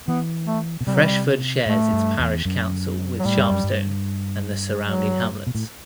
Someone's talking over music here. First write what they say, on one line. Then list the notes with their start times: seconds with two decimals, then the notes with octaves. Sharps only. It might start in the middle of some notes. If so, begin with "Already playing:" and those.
Freshford shares its parish council with Sharpstone and the surrounding hamlets.
0.08 E3 B3
0.47 A3
0.81 B2
0.87 C3 G3
0.94 F#3
1.02 G3
1.66 A2 A3
1.92 G2
2.19 E2
2.45 F#2
3.20 F#3
3.25 A2 G3
3.38 G2
3.50 F#2
3.64 G2
4.83 F#3
5.47 B2
5.55 A2